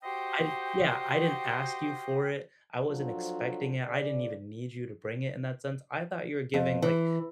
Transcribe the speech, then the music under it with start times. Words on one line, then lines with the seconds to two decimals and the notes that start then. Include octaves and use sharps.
I yeah, "I didn't ask you for it. I wasn't expecting it. I didn't even need you to bring it in that sense. I thought you were giving," like,
0.04 F#4 G4 C5 D#5 G5
2.88 F3 F#3 D4 F4 A4 C5
3.83 C#3 D5
6.54 F2
6.82 E3